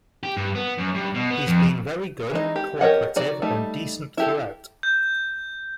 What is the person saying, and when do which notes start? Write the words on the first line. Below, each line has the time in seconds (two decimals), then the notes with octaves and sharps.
He's been very good, co-operative and decent throughout.
0.23 G4
0.37 G2
0.55 B3
0.78 F#2
0.95 G2
1.15 B2
1.31 B3
1.47 F2
2.31 E3 G#3 D#4
2.56 G4
2.81 G4 A#4 C#5 D#5 F#5
3.16 D#4 F#4 D5
3.42 G3 A3 D#4
4.17 E4 G4 A4
4.83 G6